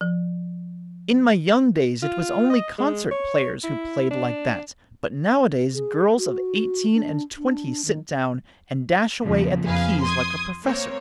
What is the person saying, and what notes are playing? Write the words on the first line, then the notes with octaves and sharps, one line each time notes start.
In my young days it was only concert-players who played like that; but nowadays girls of eighteen and twenty sit down, and dash away at the keys like a professor.
F3
F4
D#5
G#3
C#5
E4
D4
G#4
F#4
D4
D4
D#3
E2 A#2 C#3 F3
F2 F3 G#4 B4 F5
C6 D#6 G#6
A#3 C4 C#5